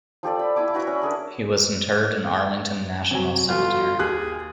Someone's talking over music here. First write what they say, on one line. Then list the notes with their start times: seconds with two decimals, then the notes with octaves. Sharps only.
He was interred in Arlington National Cemetery.
0.23 F3 G4 A4 D5
0.39 B5
0.56 E4 G5 G#5 D6
0.74 E4 F#4 B4 E5
0.87 C#4
1.02 D4 G#4 A#4 E6
3.11 C3 F#3 F#4 G#5
3.49 G1 F4
3.99 D#2 G4 G#4 F#6